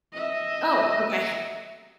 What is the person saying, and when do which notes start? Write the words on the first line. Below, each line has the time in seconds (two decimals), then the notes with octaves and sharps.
Oh, okay.
0.13 D#5 E5